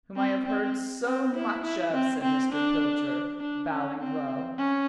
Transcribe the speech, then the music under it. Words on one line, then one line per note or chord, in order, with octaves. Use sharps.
"Whom I have heard so much of," said Mr. Pilcher, bowing low.
C4
C4
C4
E4
E4
C4
C4
D4
D4
C#4
C4
C#4